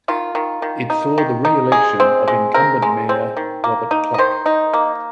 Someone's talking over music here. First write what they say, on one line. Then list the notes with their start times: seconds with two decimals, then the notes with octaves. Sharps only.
It saw the reelection of incumbent mayor Robert Cluck.
0.08 D#3 F4
0.35 D#3
0.62 D#3
0.90 D#4
1.18 D#3
1.45 D#4
1.72 G#3 G#4
2.00 C4
2.28 G#3
2.54 C4 A#4
2.82 G#3
3.09 C4
3.37 D#3
3.64 A#3
3.91 D#4
4.14 D#5
4.18 D#3 C5
4.46 D#4
4.74 A#3